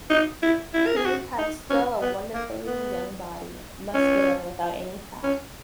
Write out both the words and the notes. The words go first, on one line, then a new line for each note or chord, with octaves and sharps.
He had still a wonderfully young body: muscular, without any fat.
D#4
E4
E4
A#4
G#4
F#4
D#4
C#4
B3
A#3
B3
C#4
C#4